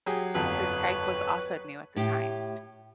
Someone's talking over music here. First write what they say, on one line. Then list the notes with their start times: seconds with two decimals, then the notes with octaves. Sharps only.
'cause Skype was also new at the time.
0.06 F#3 G4 G#4
0.35 G1 F2 B4 C#5
1.96 A2 G4